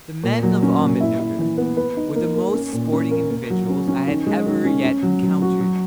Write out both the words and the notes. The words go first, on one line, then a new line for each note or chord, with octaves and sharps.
The men of Ahmednugger were the most sporting individuals I had ever yet encountered.
A#2
F#3
C#4
A#2
E4
E4
E3
B3
B4
D#4
A#3
A#3
C#4
A#2
C#4
A#3
A#3
F#3
C#4
C#4
D#3
G#3
D#3
C#4
C#4
F#3
F#3
F#4
F#3